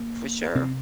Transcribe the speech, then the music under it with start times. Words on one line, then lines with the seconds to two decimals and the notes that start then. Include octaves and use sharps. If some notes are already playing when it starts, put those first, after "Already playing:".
for sure.
Already playing: A#3
0.55 C3 C4